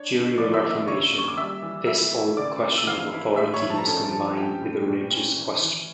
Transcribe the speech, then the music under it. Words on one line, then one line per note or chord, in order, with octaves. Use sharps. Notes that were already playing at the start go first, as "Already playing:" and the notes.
During the Reformation, this old question of authority was combined with the religious question.
Already playing: D4 C#5 C#6
D3
F3 D5 D6
E5 E6
A#3
E5 E6
C#3 C#5 C#6
A#3
C#6
D6
G3 E5 E6
E3
E4 E5 E6
A3
C#3 D5 D6
A#3
E6
E3 F5 F6
E4
A2 E5 E6
C#5 C#6
F3
A5
A#5
C#4 A4 A5
F3
C#4 G4 G5
A2
A#2
C#4
E3
E3